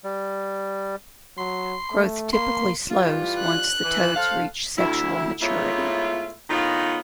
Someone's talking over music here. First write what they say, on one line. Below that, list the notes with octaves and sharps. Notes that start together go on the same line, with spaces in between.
Growth typically slows once the toads reach sexual maturity.
G3
F#3 C6
A3
A#3 C6
E3 G3 F4
F#6
E3
A4 C5 F5
D2 E4
G#2 A3 B3 E4 F4 C#5
A2 D#3 B3 D#4 F4